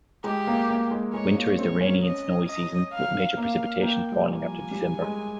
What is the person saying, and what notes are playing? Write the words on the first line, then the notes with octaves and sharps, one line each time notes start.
Winter is the rainy and snowy season, with major precipitation falling after December.
G#3 G4
A#3
A#3
G#3
G#3 C#5
A#3
C4 C#5
C#4
D#5
D#5
F5
A#3 F5
A#3 G5
G3
G#5
F3
G3
G#3